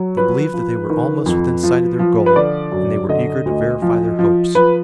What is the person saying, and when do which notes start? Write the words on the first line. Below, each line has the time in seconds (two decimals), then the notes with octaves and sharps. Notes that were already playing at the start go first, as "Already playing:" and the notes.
They believed that they were almost within sight of their goal, and they were eager to verify their hopes.
Already playing: F#3
0.17 F3 B4
0.54 F3
0.90 D#3
1.26 F2
1.63 F3
1.99 F3
2.26 B4
2.36 D3 D5
2.72 F#2
3.09 D3 D#5
3.46 D2
3.82 F3
4.19 F3
4.55 F3 B4